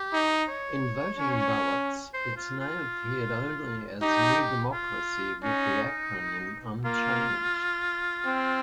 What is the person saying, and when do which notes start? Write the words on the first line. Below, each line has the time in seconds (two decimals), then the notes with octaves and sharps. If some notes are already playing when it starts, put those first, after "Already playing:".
In voting ballots, its name appeared only as New Democracy, with the acronym unchanged.
Already playing: G4
0.13 D#4
0.48 C#5
1.19 C#4
2.14 C5
2.36 F4
2.60 F4
4.01 D#4 G4
4.72 F4
5.43 C#4 D#4
6.85 A#3 F4
8.26 C4